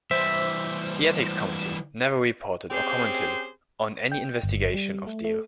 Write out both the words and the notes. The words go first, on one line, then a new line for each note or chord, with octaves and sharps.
The Ethics Committee never reported or commented on any investigation of Deal.
E3 G3 C5 E5
C4 C#4 G4 G#4 C5
G5
G1
G3
A3
A3